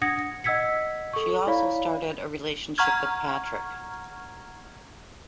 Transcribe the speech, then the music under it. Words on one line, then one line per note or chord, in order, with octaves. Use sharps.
She also started a relationship with Patrick.
D4 F#5 D#6 G#6 A#6 C#7
D#5 F#5 E6 G#6 B6 C#7
A4 C#6
E4 C#5 D5 F5 B5
F#5 A#5 C#6 F6 G#6